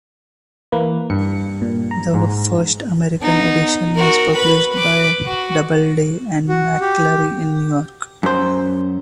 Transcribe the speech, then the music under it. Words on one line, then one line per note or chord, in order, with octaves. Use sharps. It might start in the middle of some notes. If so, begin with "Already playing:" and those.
The first American edition was published by Doubleday and McClure in New York.
E3 A#3 B4
G2 C#7
A#2
A#5
G#2
B3 D#4
F#4 A#4
B4 B5
B4 D6
F#4
F#4
G4
F#2 C5